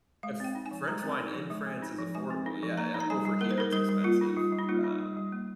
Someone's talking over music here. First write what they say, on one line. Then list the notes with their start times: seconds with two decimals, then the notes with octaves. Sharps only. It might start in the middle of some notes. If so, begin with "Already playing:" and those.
Uh, F French wine, in France, is affordable, yeah, yeah. Over here, it's expensive, um,
0.23 G#3 F5
0.40 C4 G5
0.55 D#4
0.66 G#5
0.71 F3
0.88 G#3 A#5
1.03 C4
1.19 D#4
1.34 F3
1.50 G#3
1.67 C4
1.82 D#4
1.98 F3
2.15 G#3 G#5
2.30 C4
2.46 D#4
2.63 F3
2.77 A#3 A#5
2.94 D#4
3.00 A#5
3.10 G3 G#5
3.25 G3
3.41 A#3 A#4
3.51 C5
3.58 D#4 A#4
3.73 G3 A#4
3.89 G3
4.04 A#3 F4
4.21 D#4
4.37 G3 F4
4.52 G3
4.59 D#4
4.69 A#3 F4
4.84 D#4
5.00 G3
5.17 G3
5.32 A#3